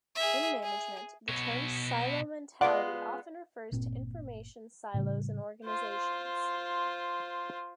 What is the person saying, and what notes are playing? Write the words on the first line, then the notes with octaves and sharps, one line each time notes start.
In management the term silo mentality often refers to information silos in organizations.
G#4 E5
G#4
B2 C#5
G#3 B3 F4 D5 F#5
G1 A#2 A#3 C4
A2 C#3 G3
F4 C5